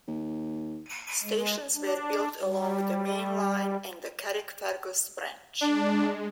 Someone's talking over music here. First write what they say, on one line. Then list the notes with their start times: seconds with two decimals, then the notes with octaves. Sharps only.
Stations were built along the main line and the Carrickfergus branch.
0.08 D#2
1.23 G#3
1.75 D4
2.42 G3
5.61 G#3 D4